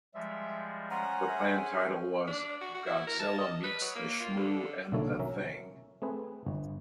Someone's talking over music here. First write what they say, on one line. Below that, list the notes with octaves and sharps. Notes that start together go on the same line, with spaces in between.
The planned title was "Godzilla Meets the Shmoo and The Thing".
F3 G3 G#3 E5
C#4 C5 F#5 G#5 A#5
G#4 E5
D4
F#4
F#4
E4
A#4
A5
D#5
B4
F#3
A#3
F4
D3
B1 D3 A#3 E4 A4 C#5
F#3 C#4 A#4 E5
A3 C4 G#4 B4
G1